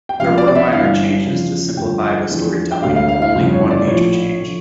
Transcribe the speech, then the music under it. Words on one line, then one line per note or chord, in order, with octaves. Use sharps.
There were minor changes to simplify the storytelling, but only one major change.
G5
C#2 C#3 F3 F5
D5
D5
E5
G1 G2 E3 F5
E2 C#3 F3
G1 F2 D3 F3 G5
E2 D3 F3
G5
E1 D2 D3 F5
F5
F5
F5
G1 F2 C#3
C#5
D5
A#1 A2 F3 C#5
D3 F3